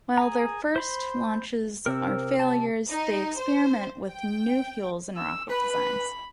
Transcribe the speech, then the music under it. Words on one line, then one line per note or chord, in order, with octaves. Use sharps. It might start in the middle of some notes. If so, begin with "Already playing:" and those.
While their first launches are failures, they experiment with new fuels and rocket designs.
G#4 A#5
C5 B5 C6
C3 A#4 E6
A5
D#4
C5
G5
E6
B4 B5